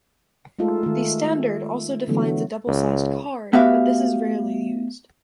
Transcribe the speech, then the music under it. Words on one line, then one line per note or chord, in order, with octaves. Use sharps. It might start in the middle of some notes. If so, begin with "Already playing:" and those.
The standard also defines a double-sized card, but this is rarely used.
G#3 A3 D#4 F4 A4
D#3 A3
D3 E3 F#3 A3 B3
C#2
A3 B3 F#4 G4 E5 F5